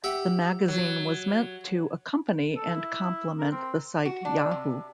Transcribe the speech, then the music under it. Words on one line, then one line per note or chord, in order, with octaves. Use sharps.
The magazine was meant to accompany and complement the site Yahoo!
G4 E5 F#5
F#3
A4
E4
A#4
C4
F#4
D4
C3